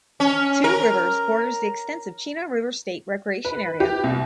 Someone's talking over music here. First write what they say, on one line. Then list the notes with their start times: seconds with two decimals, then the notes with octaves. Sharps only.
Two Rivers borders the extensive Chena River State Recreation Area.
0.20 C#4
0.64 A#4
3.45 B4
3.80 G4
4.04 C2